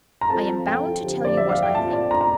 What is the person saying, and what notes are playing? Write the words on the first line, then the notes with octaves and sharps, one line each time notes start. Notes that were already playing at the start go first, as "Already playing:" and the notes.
I am bound to tell you what I think.
A#5
F3 C4 F4 A4 A5
G5
D3 F3 C4 G4
D5
E5
F5
G5
A#2 A3 C4 F4 A5
D5
A#5
A#5